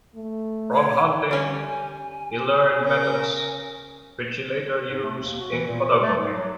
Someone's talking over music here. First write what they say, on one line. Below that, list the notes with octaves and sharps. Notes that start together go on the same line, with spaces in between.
From hunting, he learned methods which he later used in photography.
A3
C#5
G3 C#4 G#5
C#3 A#4
G#2
A3
D#2
F#4
E3
A#2
C3
A3
G#2
F#3